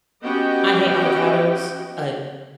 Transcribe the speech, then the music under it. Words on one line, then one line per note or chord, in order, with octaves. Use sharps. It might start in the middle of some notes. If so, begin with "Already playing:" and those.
I hate avocados, uh
B3 C#4 F#4 G4 D#5 G5